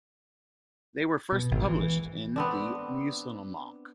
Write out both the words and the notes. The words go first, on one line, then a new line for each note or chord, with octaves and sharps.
They were first published in the "Musenalmanach".
B2
G#1
E3
B3 C4 D4